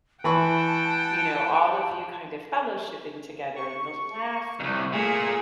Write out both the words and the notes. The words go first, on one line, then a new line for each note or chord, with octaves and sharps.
you know, all of you kind of fellowshipping together, and the laughter
E3 F#5 G5 A5 B5 C#6
C#6
C2 F2
A#2 A3 G#4